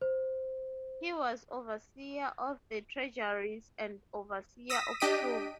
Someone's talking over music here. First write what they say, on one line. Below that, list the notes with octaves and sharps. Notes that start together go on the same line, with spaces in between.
He was overseer of the treasuries and "overseer of troops".
C5
D#6 E6 A#6 B6
D4 G4 D#5 B6 D7 D#7